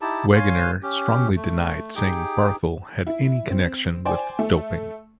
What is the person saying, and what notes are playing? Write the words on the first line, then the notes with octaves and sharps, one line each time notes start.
Wegener strongly denied saying Barthel had any connection with doping.
D#4 E4 G4 A5
C#5 F5 G#5 C6
C#4 G4
A3
D#4 G4 G#4 G5
E4
C4
C5 D5 G5 G#5
A3